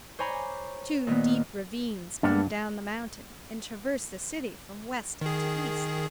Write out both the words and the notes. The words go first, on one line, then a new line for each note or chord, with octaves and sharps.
Two deep ravines come down the mountain, and traverse the city from west to east.
C5 C#5 G#5 A#5 B5 D6
A#2 D#3 A#3 B3
G2 A#3 B3 D4
D#3 G#4